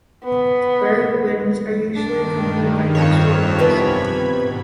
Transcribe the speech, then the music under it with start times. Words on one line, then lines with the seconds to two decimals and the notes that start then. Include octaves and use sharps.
Berg winds are usually accompanied by coastal lows.
0.24 B3
1.96 G2 D#3 D4
2.95 F2 F3 C#5
3.59 C3 E3 B3 B5 G#6
4.15 G#2 B2